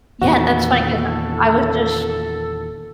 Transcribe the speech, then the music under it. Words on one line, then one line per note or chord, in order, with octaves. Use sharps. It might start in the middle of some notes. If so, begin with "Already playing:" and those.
Yeah, that's funny 'cause I I was just
E2 A#2 D#3 F#4 A4